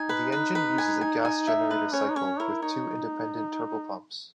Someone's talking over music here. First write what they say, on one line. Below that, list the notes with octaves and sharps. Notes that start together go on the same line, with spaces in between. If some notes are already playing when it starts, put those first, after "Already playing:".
The engine uses a gas generator cycle with two independent turbopumps.
Already playing: D#4 G#5
B4
B4
B4
G#5
G#5
G#5
E5
B4
C#4 C#5
D#4
C#4 C#5
E4 A#4
D#4 C#5